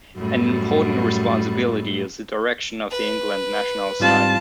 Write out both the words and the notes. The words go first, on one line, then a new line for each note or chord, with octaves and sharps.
An important responsibility is the direction of the England national side.
F#2 A2 G3
B4
G#2 G3 C4 F4 A5